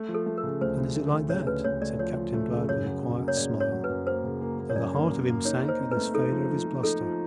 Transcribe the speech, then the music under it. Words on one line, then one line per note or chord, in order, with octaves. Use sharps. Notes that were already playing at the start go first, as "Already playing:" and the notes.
"And is it like that?" said Captain Blood with a quiet smile, though the heart of him sank at this failure of his bluster.
Already playing: A3
F3
A4
A3
A#4
C#3
D2 C5
D2
A3
D2
C#3 C#5
D2 B4
D2 C#5
A3 D5
F3 C#5
F3
A3
C#3
F#2 C#5
F#3
F#2
A#3
C#5
C#3 D5
C#3 C#5
F#3
B4
F#2
A#3 C5
C#3
A#3
A#3
C#5
F#2 D5
A#3
F#2
A#3
D#4 C#5
D#4
C5
C4
B4
A3
D#4 A4
F3
F3
F3
D#4 A4
F3